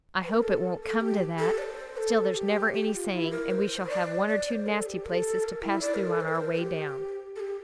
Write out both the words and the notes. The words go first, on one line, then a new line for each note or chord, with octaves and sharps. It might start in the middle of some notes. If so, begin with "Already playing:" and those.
I hope it won't come to that, still there's never any saying, and we shall have one or two nasty places to pass through on our way down.
C5
A#4
A4
A#4
A4
G4
A4
D5
C5
A4
G4
G4
G4
F4
E4
A#4
C5
D5
D5
D5
C5
A4
G4
A#4
A4
A#4
E4
D5
A#4
A4
C5
A#4
C5
G4
A4
G4